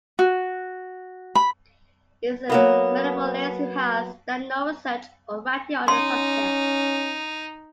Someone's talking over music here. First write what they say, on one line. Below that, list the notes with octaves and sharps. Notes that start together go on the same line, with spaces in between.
He is a medievalist who has done no research or writing on the subject.
F#4
B5
F#3 A#3 B3
C#4 D#4 C6